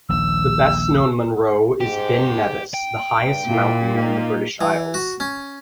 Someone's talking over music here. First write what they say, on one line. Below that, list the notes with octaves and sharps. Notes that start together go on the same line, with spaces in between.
The best known Munro is Ben Nevis, the highest mountain in the British Isles.
D#1 A#1 D#2 E6
G#2 G4
G5
G2
A#2 A#3 E4 F4
D#4 F4
E3
F#4
C#4